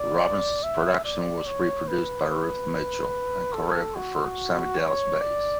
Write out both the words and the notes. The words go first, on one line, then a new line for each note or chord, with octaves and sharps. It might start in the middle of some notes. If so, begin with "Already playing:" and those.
Robbins' production was reproduced by Ruth Mitchell and choreographer Sammy Dallas Bayes.
Already playing: D5
E5
D5
C#5
B4
B4
A4
F#4
C#5
D5